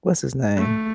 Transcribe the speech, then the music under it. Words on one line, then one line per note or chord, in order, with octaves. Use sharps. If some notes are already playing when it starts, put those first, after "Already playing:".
What's his name?
A3